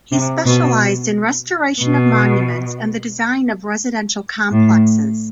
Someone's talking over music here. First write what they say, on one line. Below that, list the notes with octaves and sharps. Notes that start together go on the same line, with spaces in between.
He specialized in restoration of monuments and the design of residential complexes.
C3
B2
B2
A2